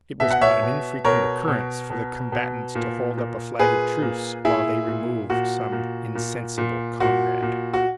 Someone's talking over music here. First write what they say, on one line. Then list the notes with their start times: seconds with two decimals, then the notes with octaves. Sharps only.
It was not an infrequent occurrence for the combatants to hold up a flag of truce while they removed some insensible comrade.
0.20 B2 E5
0.31 F#5
0.41 C#5 E5
0.63 B2
1.05 B2 A#4 C#5
1.48 B2
1.90 B2
2.32 B2
2.75 A#2
3.17 A#2
3.59 A#2 G#4 B4
4.02 A#2
4.45 A#2 E4 G#4
4.87 A#2
5.30 A#2 F#4
5.72 A#2
6.15 A#2
6.58 A#2
7.00 A#2 F#4
7.42 A#2
7.74 F#4